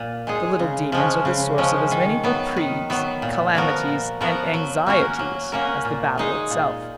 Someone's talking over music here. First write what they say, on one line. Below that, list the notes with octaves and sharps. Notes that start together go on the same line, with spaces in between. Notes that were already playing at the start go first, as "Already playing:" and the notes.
The little demons are the source of as many reprieves, calamities, and anxieties as the battle itself.
Already playing: A#2
G#3 D#4 G#4
C#3
F3 G#3 C#4
C#3
F3 G#3 C#4
D#3
F#3 B3
D#3
F#3 B3
A#2
F3 B3 F#4 A#4
A#2
F3 B3 F#4 A#4
F#3
A#3 C#4 F#4 A#4
F#3
A#3 C#4 F#4 A#4
A#2
G#3 D#4 G#4
A#2